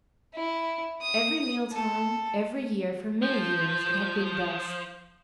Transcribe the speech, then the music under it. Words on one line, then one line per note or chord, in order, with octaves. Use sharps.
Every mealtime, every year, for many years, it had been thus.
E4
D#6
A4
F3 G6